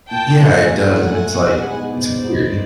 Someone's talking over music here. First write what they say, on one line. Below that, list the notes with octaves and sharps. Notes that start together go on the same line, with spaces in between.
Yeah. It does. And it's, like, it's weird.
A#2 G5 A5
F#3 A3 F#5 G#5
A#2 F#5 G#5
F#3 A3
B2
G#3 B3 D#4
B2 C5 D5
G#3 B3 D#4